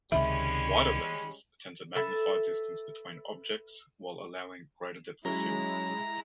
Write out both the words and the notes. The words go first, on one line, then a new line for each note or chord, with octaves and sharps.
Wider lenses tend to magnify distance between objects while allowing greater depth of field.
C#2 C3 D#3 G3 G#3 C#4 E5 B5
A4 B4 E5
F#3 G#3 C#4 E4 C#5 A#5